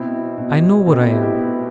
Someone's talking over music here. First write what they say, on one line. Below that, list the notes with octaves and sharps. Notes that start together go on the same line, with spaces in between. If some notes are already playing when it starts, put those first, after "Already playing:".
I know what I am.
Already playing: B2 C4 E4
B2
B2 A3 C4
B3
E4 G4
E4 G4
B2